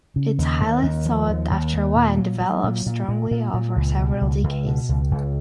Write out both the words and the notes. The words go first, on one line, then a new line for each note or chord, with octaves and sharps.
Its highly sought after wine develops strongly over several decades.
C#3
D#2
D#2
D#2
F3
D#2
D#2
D#2
A#2
F#3
F#3
A#2
A#2
A#2
A#2
A#2
C#2
B2
C#2
C#2
B2
C#2
C#2